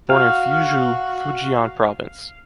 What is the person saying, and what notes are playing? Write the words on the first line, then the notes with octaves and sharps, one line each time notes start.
Born in Fuzhou, Fujian Province.
F#4 F5